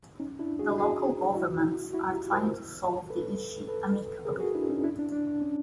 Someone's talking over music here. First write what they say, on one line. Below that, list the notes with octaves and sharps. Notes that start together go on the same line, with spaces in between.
The local governments are trying to solve the issue amicably.
C#4 D#4
D4 E4
F#4 G#4
F#4 G#4
E4 F#4
E4 F#4
F4 G4
A#4 C5
A4 B4
A4 B4
G#4 A#4
F#4 G#4
D4 E4
C#4 D#4
D4 E4
D4
D4
D4
C#4